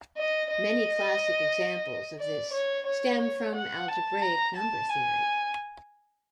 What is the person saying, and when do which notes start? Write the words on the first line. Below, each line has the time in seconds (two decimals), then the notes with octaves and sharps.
Many classic examples of this stem from algebraic number theory.
0.17 D#5
0.50 D#5
2.19 D5
2.53 C#5
2.86 C#5
3.54 F#5
3.88 A5
4.22 A#5
4.55 A5
4.89 G#5